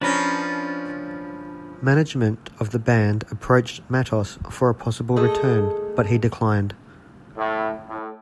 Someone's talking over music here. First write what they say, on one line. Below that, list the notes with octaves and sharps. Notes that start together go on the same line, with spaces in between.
Management of the band approached Matos for a possible return, but he declined.
F3 C#4 D4 B4 A#5
A3 G#4 A4 D#5
A2
A2